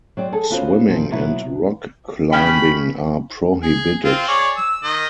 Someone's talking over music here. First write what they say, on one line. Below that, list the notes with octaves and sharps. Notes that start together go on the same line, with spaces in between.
Swimming and rock climbing are prohibited.
F#3 C4 D5
G#4 A4
B3 C#4 F4 F#4 A4 C5
G2 A#2 F3
B2 F#3 B3 E4
C#3 C#4 G5 B5
G#4
C4 F4
G#4 C#5 D5
E6
D#3 D#5